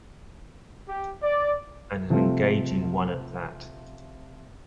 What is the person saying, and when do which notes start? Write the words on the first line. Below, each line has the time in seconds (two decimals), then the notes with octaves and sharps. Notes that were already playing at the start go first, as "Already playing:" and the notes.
And an engaging one at that.
0.89 G4
1.22 D5
2.10 C3 F3 A3 C4